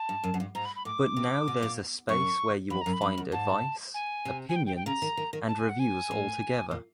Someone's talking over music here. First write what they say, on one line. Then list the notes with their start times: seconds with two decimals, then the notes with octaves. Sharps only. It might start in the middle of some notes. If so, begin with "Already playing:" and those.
But now there’s a space where you will find advice, opinions, and reviews all together.
Already playing: A5
0.09 G2
0.24 F#2
0.34 F#2
0.40 G2
0.55 G#2 A#5
0.65 B5
0.76 B5
0.85 A2 D6
1.17 C3
1.48 B2
1.63 A#2
2.09 F#2 C#6
2.70 F2 B5
2.81 F#2 A#5
2.93 B5
3.02 F#2
3.18 F#2
3.32 G#2 A5
3.94 G#5
4.25 C3
4.49 G#5
4.56 G5
4.66 G5
4.76 G5
4.86 C#3 A#5
5.02 D#3
5.17 D#3
5.33 D#3
5.48 A5
5.59 G#5
5.69 F#5
5.79 G#5
6.11 A2
6.71 A#2